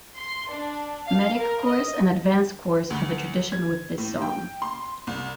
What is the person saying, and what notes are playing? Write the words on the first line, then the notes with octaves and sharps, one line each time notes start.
Medic Course and Advanced Course have a tradition with this song.
C6
D4
F5
A#4
D#5
D2
G#6
A2
G5
C6
C2